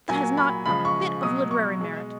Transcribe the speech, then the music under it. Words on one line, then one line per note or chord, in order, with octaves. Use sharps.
That has not a bit of literary merit.
A#2 F#3 G#5
B5
C#3 F3 G#3 B5
C#6
B2 F#3 D#6
C#6
B2 G#3